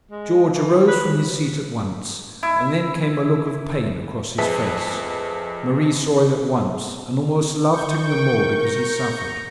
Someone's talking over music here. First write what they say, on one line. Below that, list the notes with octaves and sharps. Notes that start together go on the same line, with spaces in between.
George arose from his seat at once, and then came a look of pain across his face. Marie saw it at once, and almost loved him the more because he suffered.
G#3
E3
B4
E4
F2 G#4 B4 E5 A5 B6
C#6 G6
A#4 G5
A#5